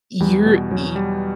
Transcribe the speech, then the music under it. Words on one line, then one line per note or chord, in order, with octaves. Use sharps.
you're y
E2 G3
B2
E2 F#3
G3